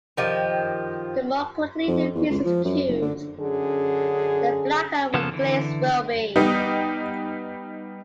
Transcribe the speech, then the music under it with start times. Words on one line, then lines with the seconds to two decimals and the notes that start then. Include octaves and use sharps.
The more quickly a piece is cooled, the blacker the glaze will be.
0.17 D#3 F3 G4
1.88 F2
2.15 E2
2.29 C#2
2.45 F3
2.65 F#2
2.88 F#1
3.02 D3
3.40 F#2 D3 C#4 G#4
5.14 C#3 F3 A#3 B3 A4
5.31 D3 E3
6.36 G3 B3 D#4